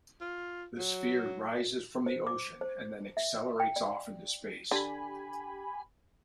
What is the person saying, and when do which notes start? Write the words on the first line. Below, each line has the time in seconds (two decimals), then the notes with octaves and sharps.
The sphere rises from the ocean and then accelerates off into space.
0.21 F4
0.78 F#3
2.06 C5
2.27 D6
2.61 C5
3.17 E5
3.60 G5
3.76 D5
4.71 D3 G4 G#5 B5